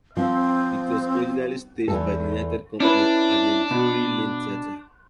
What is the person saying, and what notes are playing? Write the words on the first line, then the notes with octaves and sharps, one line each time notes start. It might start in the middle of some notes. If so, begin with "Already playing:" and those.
It was originally staged by the United Company at the Drury Lane Theatre.
F3 C4
E2 G#2 A4
C#4 D4 E4 B4
B2